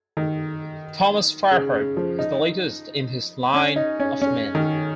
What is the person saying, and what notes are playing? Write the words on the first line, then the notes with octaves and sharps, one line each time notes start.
Thomas Fireheart is the latest in this line of men.
D#3
C#3
C#3
F3
D#4
C#4
D#4
C#4
C#4
D#3